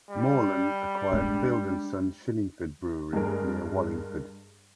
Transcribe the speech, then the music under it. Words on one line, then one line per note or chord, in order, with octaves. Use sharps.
Morland acquired Field and son Shillingford brewery near Wallingford.
G3
G#3 D4
G2 G#3 G#4 A#4